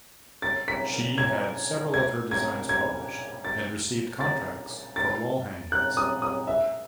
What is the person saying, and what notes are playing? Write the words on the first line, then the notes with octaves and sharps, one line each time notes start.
She had several of her designs published and received contracts for wall hangings.
A6
B6
G#6
G#6
G#6
G#6
A6
A6
A6
F#6
D#6
D#6
E5